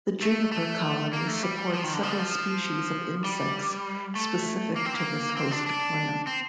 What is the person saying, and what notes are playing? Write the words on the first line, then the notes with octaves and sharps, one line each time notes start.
The juniper colony supports several species of insects specific to this host plant.
A3
A3
A#3
A3
G3
F3
D#3
D3
F3
G3
F3
G3
A3
A#3
C4
A#3
C4
D4
D4
C4